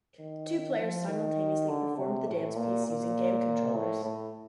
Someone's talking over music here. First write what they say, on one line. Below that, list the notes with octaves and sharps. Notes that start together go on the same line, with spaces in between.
Two players simultaneously performed the dance piece using game controllers.
D#3
F3
D#3
D3
C3
A2
A#2
A#2
A2
A2